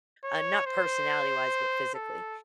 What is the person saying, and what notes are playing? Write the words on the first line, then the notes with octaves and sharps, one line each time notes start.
Uh, not personality-wise, but physically.
C#5
C5
A4